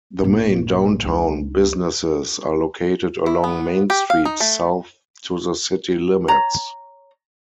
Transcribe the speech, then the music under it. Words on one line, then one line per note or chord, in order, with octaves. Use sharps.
The main downtown businesses are located along Main Street south to the city limits.
A#1 G2
C#2 D#4
E4
B3
G4
F5
D#4
A3
C#5 A#5